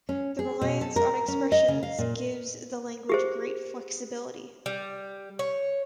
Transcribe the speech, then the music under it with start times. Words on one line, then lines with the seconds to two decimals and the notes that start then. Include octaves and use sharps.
The reliance on expressions gives the language great flexibility.
0.09 C#4
0.39 G#4
0.61 B2
0.81 A4
0.96 A#4
1.28 C#4
1.52 D#5
1.68 C#3
1.83 F5
1.99 A#2
3.09 G4 G#4 C5
4.66 G3
5.39 C#5